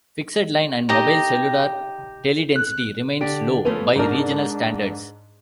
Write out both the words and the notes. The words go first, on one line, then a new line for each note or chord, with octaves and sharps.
Fixed-line and mobile-cellular teledensity remains low by regional standards.
D#4 G4 D#5
F#6
D3 D4 G4
F3 A3 B3 C#4
G#2 D4 D#4 A#4